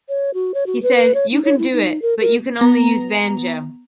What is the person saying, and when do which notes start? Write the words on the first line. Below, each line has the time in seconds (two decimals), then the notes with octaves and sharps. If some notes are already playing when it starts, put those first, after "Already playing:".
He said, 'You can do it, but you can only use banjo.
0.09 C#5
0.34 F#4
0.54 C#5
0.67 F#4
0.83 B4
1.14 C#5
1.32 D#4
1.45 C#5
1.59 E4
1.73 D#4
2.02 A#4
2.20 A#4
2.61 B3 A#5